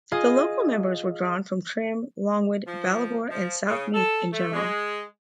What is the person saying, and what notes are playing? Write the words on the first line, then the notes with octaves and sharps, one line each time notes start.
The local members were drawn from Trim, Longwood, Ballivor and South Meath in general.
F4 G#4 D#5
F3
F3
C#3
A4
A3
G#3